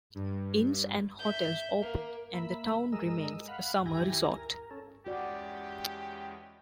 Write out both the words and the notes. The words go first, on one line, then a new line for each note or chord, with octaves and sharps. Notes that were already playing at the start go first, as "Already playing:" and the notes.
Inns and hotels opened, and the town remains a summer resort.
G2
E5 G6
A#3
A#3 E5 B5
G#3 A#4 D#5 E6
F5 F#5 B5
D#2 E4 G4 G#5 A#6
A#4
C#4 A4
E2 G#3 C#4 F#4 G4 D5